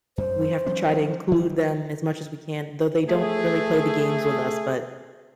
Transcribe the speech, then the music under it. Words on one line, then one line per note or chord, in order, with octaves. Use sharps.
we have to try to include them as much as we can, though they don't really play the games with us, but,
F#2 C5
F3 G3 C#4
D#3 E3 G3
A3 G#4